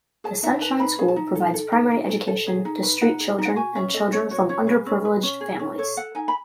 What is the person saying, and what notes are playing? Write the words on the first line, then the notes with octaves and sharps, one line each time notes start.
The Sunshine School provides primary education to street children and children from underprivileged families.
G#4 A5
D#4 E5
B4 A5
D#4 B5
G#4
A5
D#4
A4
A4
D#4
D#4
A4
A4
G#4
D#4
B4
D#4 F#5
G#4
D#4
F#5
F#4 G#5
C#4 E5
A4 D#5
C#4 C#5
F#4 C#5
C#4 C#5
G#4 B4
C#4
B4
C#4
G#4
C#4
A4 C#5
A4 F#5
D#4 G#5
B5